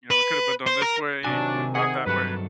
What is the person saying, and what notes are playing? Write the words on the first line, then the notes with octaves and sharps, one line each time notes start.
you know, it could have been done this way, and not that way.
B4
C5
A#4
C3 D#3 F#3 D4 G#5
G#4 F#5
G2 F#3 A4 B4